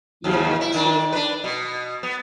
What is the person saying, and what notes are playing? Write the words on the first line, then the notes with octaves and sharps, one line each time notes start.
you know, to
D#2 G#2 C#3
E4
D#3 D4
D4 B4
B2
B3